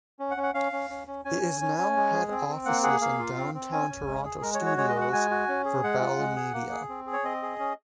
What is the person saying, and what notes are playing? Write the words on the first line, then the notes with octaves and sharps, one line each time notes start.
It is now head offices and downtown Toronto studios for Bell Media.
C#4
F#5
C#4
F#5
C#4 F5
C#4
C#4
C#4
C#4 G#5
C#4
C#4
C#4
G#3
G#4
C4
C4
A#3 F#5
G#4 F#5
A#3 F5
F4
C4
C4
C#4 G#5
C#4
G#3
G#4
G#3 A#4
C#5
F#4
C#5
G#3 C#5
D#5
F#4
F#5
G#3 G#5
F#4
C#4
G#4
G#3 F#5
F4
G#3
G#4
A#3
G#4
C4
G#4
C#5
C4 D#5
G#4
C#4